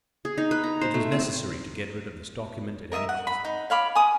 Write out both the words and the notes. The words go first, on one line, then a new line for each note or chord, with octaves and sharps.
It was necessary to get rid of this document at any cost.
G#4
D#4
B4
A#5
C5
A3
C4
A#4 D#5 E5 D#6
F#5
B5
D#4
C#5 F5 B5 D6
G#5 D#6